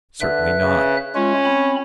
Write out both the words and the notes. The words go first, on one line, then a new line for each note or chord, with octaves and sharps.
Certainly not.
D3 B4 E5 F#6
C#3
G#3 C#4 F4
C4 B5